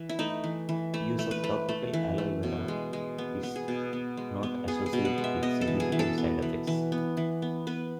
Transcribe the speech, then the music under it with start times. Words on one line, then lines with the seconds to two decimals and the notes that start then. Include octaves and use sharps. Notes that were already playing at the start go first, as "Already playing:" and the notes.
Use of topical aloe vera is not associated with significant side effects.
Already playing: E3
0.09 E4
0.19 A3 D#4
0.44 E3
0.69 E3
0.94 A3 E4
1.19 A3
1.31 B4
1.44 A3
1.69 A3
1.93 E3
2.18 A3
2.43 B2
2.68 G#3
2.93 G#3
3.18 B3
3.43 B3
3.56 G#4
3.68 B2
3.93 B3
4.17 G#3
4.43 B3
4.68 B3 G#4
4.86 G#4
4.93 B2
5.05 F#5
5.18 G#3
5.24 E5
5.43 B3 D#5
5.61 A4
5.67 E3
5.80 G#4
5.92 E3
5.99 A4
6.18 B3
6.42 E3
6.67 E3
6.92 B3
7.17 E3
7.42 B3
7.67 B3 B4